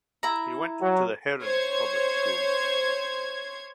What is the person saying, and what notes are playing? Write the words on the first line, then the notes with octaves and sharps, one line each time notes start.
He went to the Herrin public schools.
E4 A#5
F#3
C5 C#5 G#6